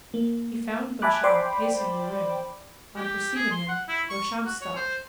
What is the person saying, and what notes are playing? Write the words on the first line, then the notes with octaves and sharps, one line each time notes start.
He found Beauchamp pacing the room; on perceiving him Beauchamp stopped.
A#3
E5 G#5 A5 B5 D6 F#6
C5 D5 G5 B5 C6 D6
G4
G#4
C6
F#5
E4
C#6
F#4
C#5
C5